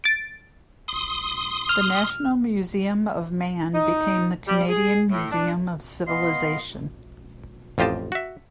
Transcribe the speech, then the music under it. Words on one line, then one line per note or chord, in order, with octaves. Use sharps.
The National Museum of Man became the Canadian Museum of Civilization.
A6 D7
C6 D#6
F6
D#4
G3
G#4
A2
D4
B3 D#5 F5 C6
A1 F2 F4 G4 D#5 A5
F#4 E5